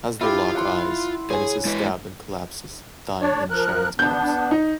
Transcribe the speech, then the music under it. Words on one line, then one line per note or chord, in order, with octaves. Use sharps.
As they lock eyes, Dennis is stabbed and collapses, dying in Sharon's arms.
E4 F4 G4 G5
F#5 C6
G#4 C#5 G#5
G#3 E4 B4
D4 C#5 D5
F3 A#4 F#6
B3 D4 G6
D#4